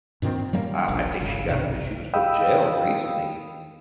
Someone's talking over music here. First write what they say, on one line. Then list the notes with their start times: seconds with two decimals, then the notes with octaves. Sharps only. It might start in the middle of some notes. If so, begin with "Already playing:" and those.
uh, I think she got we she was put in jail recently
0.22 G2 A#2 D#3 C4
0.53 F#3 G3 A#3 C#4
0.88 D#1 A#1
1.20 G1 C#3
1.48 B1 G2 C3 D#3
2.14 D#5 F5 G5 B5 D#6 E6